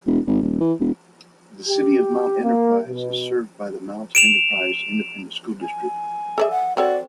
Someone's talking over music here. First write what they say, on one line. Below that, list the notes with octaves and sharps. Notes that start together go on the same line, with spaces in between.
The City of Mount Enterprise is served by the Mount Enterprise Independent School District.
E1
G#1
D#1
E3
E1
G4
A#3
B2
D7 E7 F7
G#5
G#4 A4 D5 E5
F#5
C4 F#4 A4 C#5 D5